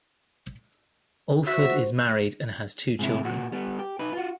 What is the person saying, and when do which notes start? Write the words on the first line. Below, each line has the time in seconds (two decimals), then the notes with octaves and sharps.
Alford is married and has two children.
1.47 F#4 C5 E5
2.99 G#2 C3 E4
3.25 A#2 F#4
3.52 G3 B3
3.79 G4
3.99 D#4 B4
4.13 F4 F#4